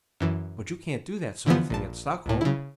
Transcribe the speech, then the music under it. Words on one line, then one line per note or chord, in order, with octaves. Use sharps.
"But you can't do that sort of thing at Stockholm!"
F#2 E3
D3 E3 F3 B3
A#1 A5
C#2 A2
C#3 E4